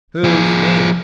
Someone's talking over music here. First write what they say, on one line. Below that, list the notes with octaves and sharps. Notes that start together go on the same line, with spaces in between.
"Who's me?"
F3 G#4